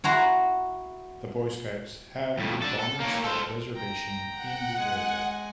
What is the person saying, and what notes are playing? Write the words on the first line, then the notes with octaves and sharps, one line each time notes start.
The Boy Scouts have the Bonner Scout Reservation in the area.
E4 F#4 A#5 C6
F2 A2
D4 A4
A4
A#3 C#5
A4 C5
G5 A#5
F#5
G#3 G#5